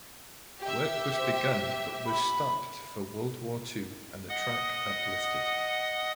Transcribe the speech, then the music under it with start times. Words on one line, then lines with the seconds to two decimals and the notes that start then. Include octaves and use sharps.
Work was begun but was stopped for World War Two and the track uplifted.
0.61 G4 E5
1.18 C5
2.06 B5
4.29 D#5 F#5 D#6